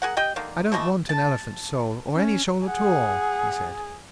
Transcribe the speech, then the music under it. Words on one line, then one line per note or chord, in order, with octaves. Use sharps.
"I don't want an elephant's soul, or any soul at all!" he said.
G#4 A#4 F#5
G4 D#5 G5
D3 D#3 A#3
B2 E3 A3 D#5
A5
C#4
G#4 F#5